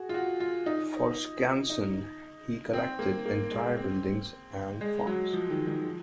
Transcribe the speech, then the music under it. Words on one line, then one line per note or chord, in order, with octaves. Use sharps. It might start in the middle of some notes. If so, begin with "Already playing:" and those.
For Skansen, he collected entire buildings and farms.
Already playing: F#4 G#4
F4
F#4
F4
D#4
D#4
C4
A#3
A#3
G#3
C4
G#3
F#3
F3
D#3
D#3
F3